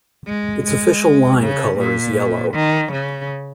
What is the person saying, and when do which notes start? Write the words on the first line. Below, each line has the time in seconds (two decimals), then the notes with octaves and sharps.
Its official line color is yellow.
0.26 G#3
0.64 G#3
1.39 C#3
1.78 A#2
2.54 D#3
2.91 C#3